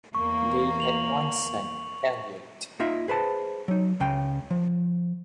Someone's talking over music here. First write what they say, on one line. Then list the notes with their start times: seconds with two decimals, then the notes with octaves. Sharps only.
They had one son, Elliot.
0.15 E2 A#3 C#6
0.80 F7 F#7
2.80 A#3 D#4 F4 D#5 E5
3.08 G#4 B4 C5 A5
3.68 F#3 D#4
4.00 C#2 C#3 G5
4.51 F3